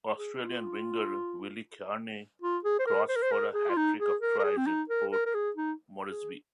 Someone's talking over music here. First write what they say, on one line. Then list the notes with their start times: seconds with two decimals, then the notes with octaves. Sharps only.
Australian winger Willie Carne crossed for a hat trick of tries in Port Moresby.
0.17 G#4
0.39 F4
2.42 F4
2.64 G#4
2.79 C5
2.87 A#4
3.09 C5
3.16 A#4
3.23 C5
3.32 A#4
3.54 G#4
3.69 F4
3.77 D#4
3.99 G#4
4.22 A#4
4.39 A#4
4.44 G#4
4.57 C4
4.67 D#4
4.90 A#4
5.12 A#4
5.26 A#4
5.35 G#4
5.56 D#4
6.10 G#4